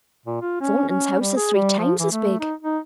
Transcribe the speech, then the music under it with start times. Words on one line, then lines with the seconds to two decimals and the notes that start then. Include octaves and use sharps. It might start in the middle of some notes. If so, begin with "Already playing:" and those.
Thornton's house is three times as big.'
0.26 A#2
0.42 F4
0.61 C#4
0.89 C#4
1.21 G3
1.37 G#4
1.54 G3
1.79 F3
2.00 E3
2.12 A3
2.40 D#4
2.63 D#4